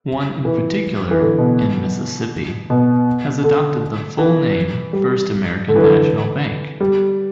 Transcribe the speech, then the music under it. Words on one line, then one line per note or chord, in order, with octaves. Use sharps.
One in particular, in Mississippi, has adopted the full name "First American National Bank".
E3
E3
D3
B2
B2
D3
E3
G3
D3
E3
D3
G3